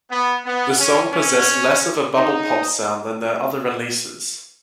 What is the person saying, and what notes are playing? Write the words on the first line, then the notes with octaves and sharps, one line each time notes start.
The song possessed less of a "bubble pop" sound than their other releases.
B3
B3
C#4
C#4
D#4